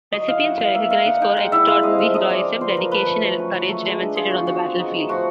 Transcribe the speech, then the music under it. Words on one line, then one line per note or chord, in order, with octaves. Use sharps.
Recipients were recognised for extraordinary heroism, dedication, and courage demonstrated on the battlefield.
F#3 D#5
E4 F5
F#3 F#5
B3 F5
A#3 E5
A#3 F5
D#4 F#5
D#4 G5
G#3 F#5
E4 E5
G#3 F5
C4 D#5
F3 E5
D#4 D#5
F3 D5
A#3
F3 C5
B4
C#4 A#4
F3 B4
A3
F#3
C#4
F#3
A3
G#3
D4
F4 G#4
B3 F#4
F#3 F#4
C4
D#4
A3
F3 F#4